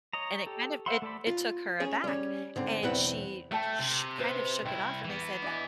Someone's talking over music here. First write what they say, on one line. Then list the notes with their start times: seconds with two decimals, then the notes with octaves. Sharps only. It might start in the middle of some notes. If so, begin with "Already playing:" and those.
and it kind of it it took her aback, and she sh kind of shook it off and I said,
0.13 C#5 D#5 A#5
0.46 G4 A4
0.86 C5 E5 F#5 B5 C6
1.02 A3 A4 D5 B5
1.27 F4
1.80 C#4 G#4
2.04 G3 C#4
2.56 G#2 D3 C4
2.83 B1 E2 C4 E4 B4 F#5
3.51 A3 A4 G5 A5
3.80 C3
4.19 C3 B4 C5
4.65 C2 E4 G5
5.05 E3 B3
5.42 D4 D#5 G#5